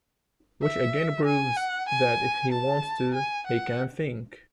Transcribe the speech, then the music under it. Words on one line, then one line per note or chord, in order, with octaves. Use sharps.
Which again proves that if he wants to, he can think.
E5
G#5
F#5
G#5
A5
G#5
F#5